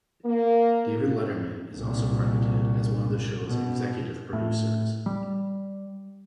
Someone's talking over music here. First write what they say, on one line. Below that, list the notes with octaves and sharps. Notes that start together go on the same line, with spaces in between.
David Letterman is also credited as one of the show's executive producers.
A#3
C2 A#2
B2
A2
G3